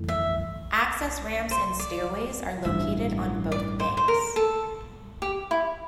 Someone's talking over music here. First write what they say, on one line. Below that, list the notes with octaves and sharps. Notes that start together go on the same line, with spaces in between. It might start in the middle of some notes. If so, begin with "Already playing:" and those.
Access ramps and stairways are located on both banks.
Already playing: G1 F2 E3 A3
E5
C5
D5
A1 G2 E3 E5
D5
C5
C5
A#4
A4
G4
E4